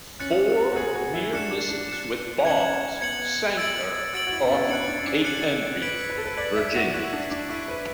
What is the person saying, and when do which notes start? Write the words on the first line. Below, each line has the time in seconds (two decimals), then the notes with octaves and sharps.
Four near-misses with bombs sank her off Cape Henry, Virginia.
0.20 C#4 F#6 A6 C#7 F#7
0.72 F#4
0.76 G#4 F#6 A6 C#7 F#7
0.95 F#4
1.14 E4
1.32 D4 F#6 C#7 E7
1.51 D4
1.70 D4
1.89 F#6 C#7 E7
2.45 C#4 G#6 C#7 F#7
3.00 B3 G#6 C#7 F#7
3.57 E6 A6 D7 F#7
4.13 F#4 E6 A6 D7 F#7
4.27 F#4
4.32 E4
4.45 C#4
4.51 B3
4.69 D4 F#6 C#7 F#7
4.88 D4
4.99 C#4
5.07 D4
5.25 F#6 C#7 F#7
5.82 B4 G#6 B6 D7 F#7
6.10 B4
6.17 A4
6.25 B4
6.37 D5 G#6 B6 D7 F#7
6.56 E5
6.76 F#4
6.94 E4 C#6 F#6 B6 D7
7.13 D4
7.31 D4
7.49 E4 C#6 F#6 B6 D7
7.68 B4